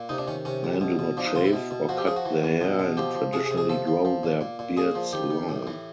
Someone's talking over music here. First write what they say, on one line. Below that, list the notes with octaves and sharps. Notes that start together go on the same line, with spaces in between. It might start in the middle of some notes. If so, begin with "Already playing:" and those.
Men do not shave or cut their hair and traditionally grow their beards long.
Already playing: A#2
C3 D#4
D4
D#3 C#4
C3 C#4
C3
B2
B2
F3 D4
D#4
C3 F4
E4
B2
B2
F3 F#4
G4
F3 G#4
F#4
E3
E3
B2
B2
F3 G4
F3
C3 G#4
G#4
C3
G#4
F3 A4
F3
F3
A#2
A#2
A#2
A#2 G#4
F3
D#3 G4
D#3
A2
E3